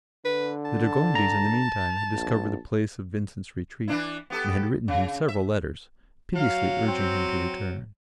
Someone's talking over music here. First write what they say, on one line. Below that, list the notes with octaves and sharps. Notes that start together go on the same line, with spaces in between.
The de Gondis, in the meantime, had discovered the place of Vincent's retreat and had written him several letters, piteously urging him to return.
D3 B4
A5
A#5
A#1
E3 D4 E4
B3 G4 A4
C#3
E5
F#3 F5
C4